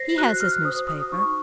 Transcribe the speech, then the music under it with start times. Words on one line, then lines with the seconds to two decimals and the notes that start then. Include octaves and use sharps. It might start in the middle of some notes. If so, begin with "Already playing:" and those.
He has his newspaper.
Already playing: C5 A#6 C7
0.18 F#4 F#6
0.40 F6
0.64 C5 D#6
0.88 D#6
1.03 D#6
1.12 D#4 C#6